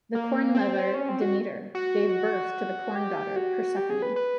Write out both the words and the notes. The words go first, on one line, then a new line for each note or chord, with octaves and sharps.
The Corn Mother Demeter gave birth to the Corn Daughter Persephone.
A#3
C4
C#4
C4
F#4
F#4
G4
F#4
G4
G#4
B4
B4